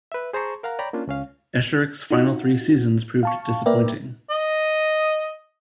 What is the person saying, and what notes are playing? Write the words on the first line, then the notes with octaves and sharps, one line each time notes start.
Esherick's final three seasons proved disappointing.
B4 E5
G#4 C5 A5 A#5 C#6
A#4 F5 F#5 A#5
C#5 D5 G5 A#5 B5
A#3 C#4 D4 F4
C#2 C#4 F5
D#4 F4 F#4
F5 A5 C#6
A#3 A#4 B4 D5 E5 G5
D#5